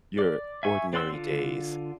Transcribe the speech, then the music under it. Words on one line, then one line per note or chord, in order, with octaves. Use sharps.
your ordinary days
D5
E5 G#5 C#6
C4 D5 F#5 C6 E6
D3 F4